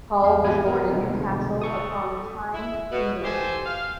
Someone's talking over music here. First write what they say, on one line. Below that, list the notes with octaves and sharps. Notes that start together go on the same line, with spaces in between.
Hall was born in Newcastle upon Tyne, England.
E2 F5
G#1 E2 G#3 E4 G#5 D#6
B3 A#4
C2 B2 D3 E3 G#3
A4 C#6 D#6
E4
B2
G4 A4 C5 G#5
F5